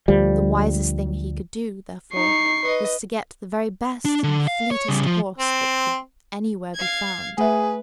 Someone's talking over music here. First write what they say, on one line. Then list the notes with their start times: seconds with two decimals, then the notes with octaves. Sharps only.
The wisest thing he could do, therefore, was to get the very best and fleetest horse that could anywhere be found.
0.08 D2 D3 F3 G3
2.13 D#4 C#6 C7
2.61 B4 D#5
4.05 D4
4.24 D3
4.48 F5
4.71 C#5
4.88 C#3 G3
5.06 F3
5.38 C4
6.74 F5 G#6
7.38 A3 G#4 B4 E5